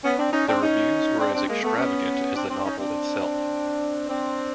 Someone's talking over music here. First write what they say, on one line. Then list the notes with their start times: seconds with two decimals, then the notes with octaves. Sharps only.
The reviews were as extravagant as the novel itself.
0.04 B3 C#4
0.19 C4 D4
0.32 C#4 D#4
0.47 C4 D4
0.62 C#4 D#4
1.20 C4 D4
1.35 C4 D4
1.49 G#3 A#3
1.63 A3 B3
1.77 B3 C#4
2.35 C4 D4
2.50 C4 D4
2.65 C#4 D#4
2.79 C4 D4
4.09 C4 D4